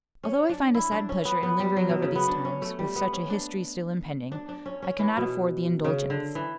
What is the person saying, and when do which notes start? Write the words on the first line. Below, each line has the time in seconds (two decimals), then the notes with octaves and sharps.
Although I find a sad pleasure in lingering over these times, with such a history still impending, I cannot afford the indulgence.
0.23 C#4
0.49 D4
0.74 E4
0.92 D4
1.09 C#4
1.25 B3
1.43 B3
1.60 G3
1.77 F#3
1.90 B2
2.02 C#3
2.15 B3
2.28 D4
2.45 C#4
2.62 A3
2.79 G3
2.96 B3
3.13 C#4
3.30 D4
4.32 D4
4.49 D4
4.66 C#4
4.82 C#4
4.99 E3
5.17 B2
5.84 C#3
6.10 D3
6.35 E3